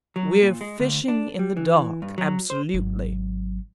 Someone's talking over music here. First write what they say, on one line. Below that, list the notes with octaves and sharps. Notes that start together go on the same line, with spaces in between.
We're fishing in the dark, absolutely.
F#3
A#2
G#3
D2
D4
G3
E3
G2
F#3
C5
G#1 F#3